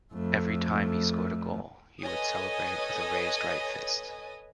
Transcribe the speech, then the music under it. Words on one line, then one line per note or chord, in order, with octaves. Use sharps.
Every time he scored a goal he would celebrate with a raised right fist.
F2 A3
A4 B4 C#5 D#5 G#5 D#6